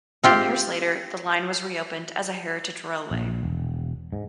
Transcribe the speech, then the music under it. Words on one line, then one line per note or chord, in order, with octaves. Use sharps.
Ten years later the line was reopened as a heritage railway.
C4 F4 G4
A#1
E1
G#2